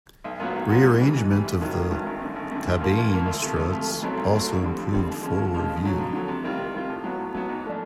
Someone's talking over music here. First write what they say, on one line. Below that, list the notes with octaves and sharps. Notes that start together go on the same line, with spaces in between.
Rearrangement of the cabane struts also improved forward view.
B1
A#2 F#3 B3
B1
A#2 F#3 B3
G#2
E3 G3
G#2
E3 G3
A1
G2 D#3 F#3
A1
G2 D#3 F#3
G#1
F#2 D3
G#1
F#2 D3
C2
A#2 F3 A#3
C2
A#2 F3 A#3
D2
C3 F3 A3
D2
C3 F3 A3
B1
B2 F#3 A3 C4
B1
B2 F#3 A3 C4
F2
D3 G3 C4
F2
D3 G3 C4
D#2
C#3 F3 G#3
D#2
C#3 F3 G#3
F2
D3 F#3
F2
D3 F#3
C3
D#3 G3 C4 F4
C3
D#3 G3 C4 F4
A2
F#3 B3
A2
F#3 B3
G#2
F3 A3 D4